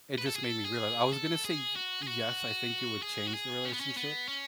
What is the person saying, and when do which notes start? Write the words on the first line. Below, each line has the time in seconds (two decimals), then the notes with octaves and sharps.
it just made me realize I was gonna say, "Y yes, I think you would change the relationship."
0.18 B4
0.27 A4
0.36 G#4
0.44 A4
0.65 G#4
1.13 A4
1.45 G#4
1.76 F#4
2.03 G#4
2.08 F#4
3.02 G#4
3.28 F#4
3.34 G#4
3.65 C#4
3.73 B3
3.80 C#4
3.97 B3
4.28 C#4